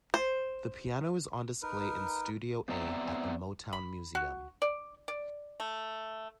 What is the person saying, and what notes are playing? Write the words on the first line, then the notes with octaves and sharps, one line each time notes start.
The piano is on display in Studio A at the Motown Museum.
C5
D#4 A#4 B4
B3 C4 D5 E5 A#5
B5
F#4
D5
D5
A3